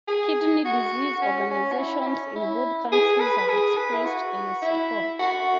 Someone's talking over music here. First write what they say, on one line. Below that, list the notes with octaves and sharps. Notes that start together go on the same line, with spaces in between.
Kidney disease organisations in both countries have expressed their support.
G#4
F#4
C#4
C#4
F#4
E4
E4
C#4
E4
G#4
B4
B4
G#4
B4
E4
F#4
E4
F#4